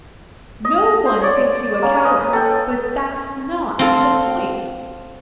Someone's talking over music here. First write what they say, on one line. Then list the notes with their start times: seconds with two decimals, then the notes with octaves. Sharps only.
No one thinks you a coward, but that's not the point.
0.65 D#5
1.05 C5
1.22 C#5 D5
1.82 A#3 C#4
2.03 B4 D#5
2.33 A4 G5
3.79 C4 F4 A4